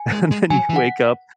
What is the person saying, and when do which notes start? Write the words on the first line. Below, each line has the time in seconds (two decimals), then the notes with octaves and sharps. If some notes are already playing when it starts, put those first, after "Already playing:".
and then you wake up,
Already playing: G#5
0.12 G#3
0.31 G#3
0.50 F#3 G#5
0.69 E3
0.76 F#5